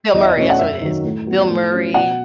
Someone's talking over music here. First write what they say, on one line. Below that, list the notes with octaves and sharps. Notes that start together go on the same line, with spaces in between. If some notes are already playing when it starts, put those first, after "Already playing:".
Bill Murray, that's what it is. Bill Murray
E2 D#5
E5
D#5
B2 A3 C#4
F#5
F#2 E5
D#3 F#3
A2
F#3 B3
A2
F#3 C#4
B2 F#5